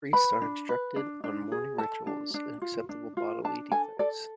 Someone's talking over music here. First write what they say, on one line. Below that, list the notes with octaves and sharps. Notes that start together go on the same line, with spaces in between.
Priests are instructed on mourning rituals and acceptable bodily defects.
B4 B5
D4
B4
D4
D4
G#4
A4 A5
D4
D4
F4
D4
F4
D4 A5
A4 G#5
A4 D5